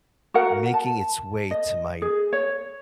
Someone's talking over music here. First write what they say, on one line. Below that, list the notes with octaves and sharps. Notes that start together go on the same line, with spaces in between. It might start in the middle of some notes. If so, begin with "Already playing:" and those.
making its way to my
F#4 A#4 F#5
A5
D#5
G#4
C#5